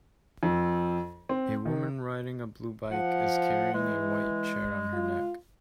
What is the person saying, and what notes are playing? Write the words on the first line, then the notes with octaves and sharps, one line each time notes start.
A woman riding a blue bike is carrying a white chair on her neck.
F2
C4
D#3
F3 F#5
E3 G#3
F4